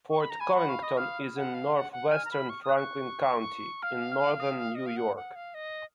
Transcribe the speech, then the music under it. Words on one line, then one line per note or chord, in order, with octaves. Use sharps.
Fort Covington is in northwestern Franklin County, in northern New York.
C#6
B5
A#5
G#5 B5
F#5 B5
F5 C#6
D#5 D#6
F5 F6
F#5
F5
F#5
F#5
G#5 F6
A#5
B5
C#6
D#6
F#6
C#6
F5 F6
F6
D#6
D#5
F5
F#5
F#5
F5
D#5